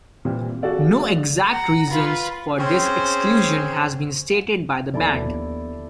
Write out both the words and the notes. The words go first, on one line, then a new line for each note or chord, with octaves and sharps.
No exact reasons for this exclusion has been stated by the band.
A#2 E3 G3 C4
F#4 G#4 A4 D5 F5
F#5 A#5
F4 B4
C4 C#4 G#4 C5
D#2 D3 F3 B3 E4 A4 D5